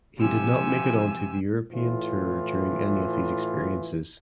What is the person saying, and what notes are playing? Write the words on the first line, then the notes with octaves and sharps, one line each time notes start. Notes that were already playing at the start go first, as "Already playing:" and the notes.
He did not make it onto the European Tour during any of these experiences.
C3 E3 F3 G4 G#5 E6
A2 E3 F4